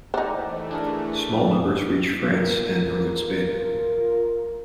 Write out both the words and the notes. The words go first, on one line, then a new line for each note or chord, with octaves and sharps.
Small numbers reach France and northern Spain.
E3 A3 D#4 G4 C5 D5 F#5
D4 G#4 A#4
F4 A#4